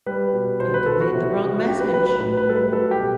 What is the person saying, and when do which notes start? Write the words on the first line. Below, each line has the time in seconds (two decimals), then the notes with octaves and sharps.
It conveyed the wrong message.
0.06 G3 B4
0.33 B2
0.60 B2 C5
0.74 B4
0.86 B2 A4
1.00 F#4
1.14 C3
1.40 C3
1.59 F#4
1.66 F#3 G4
1.80 B4
1.93 F#3 B4
2.06 B4
2.20 A2 B4
2.37 B4
2.47 G3 A4
2.56 B4
2.72 F#3 A4
2.91 G4
2.99 B2